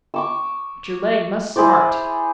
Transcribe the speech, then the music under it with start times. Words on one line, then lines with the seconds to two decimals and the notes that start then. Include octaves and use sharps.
"But your leg must smart."
0.14 C#6 D6 E6
1.56 E4 G#4 C5 D5